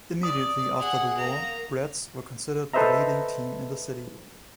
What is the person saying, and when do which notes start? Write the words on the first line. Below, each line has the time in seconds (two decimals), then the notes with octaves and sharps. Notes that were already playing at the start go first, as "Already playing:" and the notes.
Immediately after the war, Bretts were considered the leading team in the city.
0.23 D5 D#6
0.80 G#4 F#5
1.17 A#3 A#5
2.73 A4 B4 C5 D#5 E5 A#5